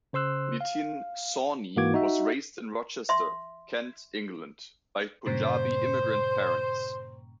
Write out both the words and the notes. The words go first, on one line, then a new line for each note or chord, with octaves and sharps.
Nitin Sawhney was raised in Rochester, Kent, England, by Punjabi immigrant parents.
C#3 C5 C6 E6 F#6
F5
G#2 E3 A#3 F#4 D6 G#6
D#4 F#4 E5
E5 C6
G2 A#2 C#3 C5